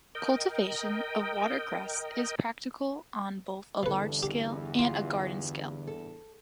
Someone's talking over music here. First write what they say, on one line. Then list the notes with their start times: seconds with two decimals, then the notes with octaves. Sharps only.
Cultivation of watercress is practical on both a large-scale and a garden-scale.
0.15 A#4 D#5 G5
3.83 E2 G2 D3 F3 C#4 A4 B4
4.23 G4
4.79 F4 C6
5.87 A4